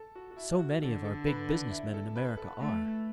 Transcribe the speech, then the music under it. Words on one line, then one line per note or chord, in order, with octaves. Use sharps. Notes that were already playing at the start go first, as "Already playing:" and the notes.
So many of our big business men in America are.
Already playing: A4
F#4
F#4
E4
F#4
D3 A4
A4
B4
B4
E4
A4
B4
A4
A3